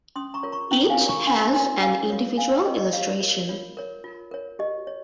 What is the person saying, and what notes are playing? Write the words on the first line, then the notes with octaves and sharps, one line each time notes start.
Each has an individual illustration.
C#4 C6 D#6
A#5 C#6
F4 A#4 C#5
A#5 C#6
C#4 G5 A#5
F5 G#5
F4 A#4 C#5
A#5 C#6
C#4 G#5 C6
F4 A#4 C#5 G#5 C6
C#4 F5 G#5
F4 A#4 C#5
F4 F5 G#5
G5 A#5
A#4 C#5 D#5 G5
D#5
F4 C#5 F5
A#4 C#5
F4 C#5
A#4 C#5
F4
A#4 C#5
G4 D#5
C#5